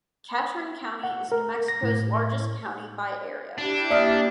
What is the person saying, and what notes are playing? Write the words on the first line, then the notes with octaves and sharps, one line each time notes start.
Catron County is New Mexico's largest county by area.
F#5
A#4
A#6
A2
D4 E4 G4
A#3 D5 E5 D#6 F6